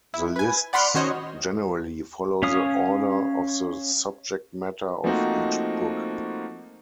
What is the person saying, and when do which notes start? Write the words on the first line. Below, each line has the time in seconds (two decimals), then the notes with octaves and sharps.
The lists generally follow the order of the subject matter of each book.
0.14 E4
0.36 B4 G#5
0.73 D5 F#5 B5 C6 F6
0.94 D#3 C#4 F#4 C5 C#5 D#5
2.43 C#4 C#5 F5 D#6
5.04 F3 A3 A#3 C4 D#4 F#4